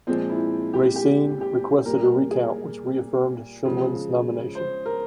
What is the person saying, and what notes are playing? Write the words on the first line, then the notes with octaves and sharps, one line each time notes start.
Racine requested a recount, which reaffirmed Shumlin's nomination.
A#2 F3 G#3 C4
E4
G4
G4
G4
A#2 G3 A#4
G#4
C#3 F3 G#3
C5
A#4